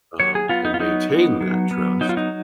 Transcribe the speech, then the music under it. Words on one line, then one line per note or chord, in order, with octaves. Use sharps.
um, and maintain that trust,
F#3 C#5
G#4
B3 F4
D#4
F4
F#3 D#4
B3
F#3
B3
F#3 D#4
F4
D#4